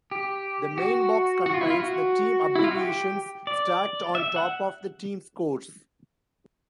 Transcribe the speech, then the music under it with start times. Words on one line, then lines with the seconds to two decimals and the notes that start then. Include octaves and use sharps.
The main box contains the team abbreviations, stacked on top of the team scores.
0.11 G4
0.78 F#4
1.46 F#4
1.54 F4
1.61 E4
1.70 F4
1.80 F#4
2.56 E4
2.64 F4
2.71 F#4
2.79 G4
3.47 D5
4.15 E5
4.36 F#5